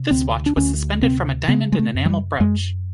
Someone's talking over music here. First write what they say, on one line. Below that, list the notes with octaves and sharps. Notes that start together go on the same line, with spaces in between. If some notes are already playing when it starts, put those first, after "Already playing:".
This watch was suspended from a diamond and enamel brooch.
Already playing: C3
D2 C4
D4
D2 C#4
C3 C4
C#3 B3
G#3
A3
F#2
F#3
G3
F#2 G#3